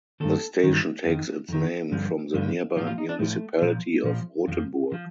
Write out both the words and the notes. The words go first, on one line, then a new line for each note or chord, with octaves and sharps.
The station takes its name from the nearby municipality of Rothenburg.
G2 D#3 A4
G2 D#3
F2 D#3
F2 D#3
G2 D3 F3
G2 D3 F3
A2 F3 F4
F4
D#4
D4
A2 F3 A3
A#2 F3
A#2 F3
F2 D3 F3
D3 F3